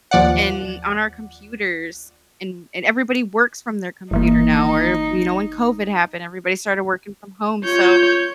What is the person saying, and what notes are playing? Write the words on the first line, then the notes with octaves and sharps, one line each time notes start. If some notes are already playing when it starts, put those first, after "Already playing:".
and on our computers, and and everybody works from their computer now, or you know, when COVID happened, everybody started working from home, so,
D#2 F3 D5 F#5
G1 E3 A#3 D#4
F4 C#5 G6